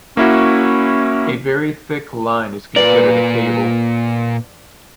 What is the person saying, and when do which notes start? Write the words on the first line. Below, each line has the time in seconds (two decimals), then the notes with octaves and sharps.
A very thick line is considered a cable.
0.17 A#3 C#4 E4 F#4
2.76 A#2 A#4 B4 D5 F5 G#5